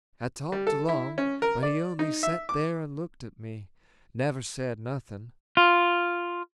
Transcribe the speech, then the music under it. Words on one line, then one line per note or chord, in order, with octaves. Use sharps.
I talked along, but he only set there and looked at me; never said nothing.
G3
A4
E4
C#4
A#4
D5
D#4
E5
D6
F4